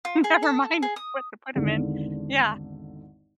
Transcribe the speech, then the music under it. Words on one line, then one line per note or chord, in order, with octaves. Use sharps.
Never mind what to put them in. Yeah.
F4
G#4
A4
G#4
D#6
G#1 E2 G#2 D3